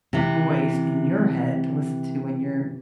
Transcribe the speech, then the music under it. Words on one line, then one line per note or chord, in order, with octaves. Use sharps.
voice in your head to listen to when you're
C3 E3